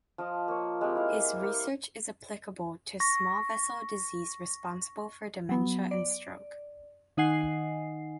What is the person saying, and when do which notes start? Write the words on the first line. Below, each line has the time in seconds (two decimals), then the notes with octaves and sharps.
His research is applicable to small vessel disease responsible for dementia and stroke.
0.18 F3 F4 D#5 A5
0.48 A#3 C#5
0.81 G#3 C4 G4
0.95 E4 F5
1.42 G4 A#4
3.00 C#6 A#6
5.49 F#3 B3
5.91 D5
7.17 D#3 D#4 D#5 F#5 G#5 C7